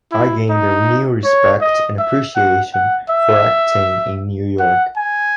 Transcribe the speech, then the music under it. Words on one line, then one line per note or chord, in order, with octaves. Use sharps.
I gained a new respect and appreciation for acting in New York.
E4
D#4
C#5
D#5
E5
F#5
F#5
E5
F#5
G#5